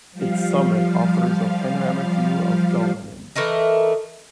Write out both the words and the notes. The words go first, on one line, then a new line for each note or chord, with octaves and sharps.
Its summit offers a panoramic view of Guilin.
F3 G3 F5
E3 A3 A#4 D#5